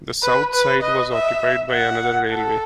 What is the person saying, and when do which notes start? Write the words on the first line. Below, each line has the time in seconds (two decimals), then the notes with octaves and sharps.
The south side was occupied by another railway.
0.23 B4
0.54 B4
0.82 D#5
1.12 E5
1.71 F#5
2.30 A4